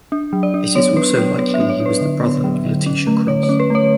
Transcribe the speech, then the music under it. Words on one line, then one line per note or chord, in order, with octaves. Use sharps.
It is also likely he was the brother of Letitia Cross.
D4
F#3
D5
D4
B3 C#5
D4 B4
F#3 B4
B3 C#5
E5
D4
C#5
D4
B4
D3
B3
F#3
D3
C#4
A3
D3 C#5
C#5
C#4
B4
A3 C#5